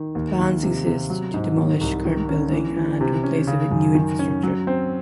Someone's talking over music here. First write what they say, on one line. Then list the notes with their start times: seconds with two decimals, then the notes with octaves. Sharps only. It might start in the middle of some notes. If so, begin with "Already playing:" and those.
Plans exist to demolish current building and replace it with new infrastructure.
Already playing: D#3
0.15 D#2
0.39 D#2
0.63 C3
0.86 C3
1.10 F#3
1.34 G#2
1.58 D#3
1.81 C2
2.05 D#3
2.29 C#4
2.52 E3
2.76 E3
3.01 C3
3.24 C#4
3.47 C#3
3.71 F#2
3.95 D#3
4.19 C#4
4.43 F#3
4.67 C4